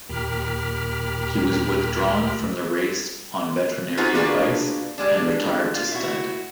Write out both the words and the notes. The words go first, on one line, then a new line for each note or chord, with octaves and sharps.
He was withdrawn from the race on veterinary advice and retired to stud.
D#2 A#2 G4 A#4 B5 F6
D#4 F4 F#4 G#4 B4 C5
A#3 D4 F4 F#4 G#4 B4
D3 G3 G#3 D4
F4
E4 F#4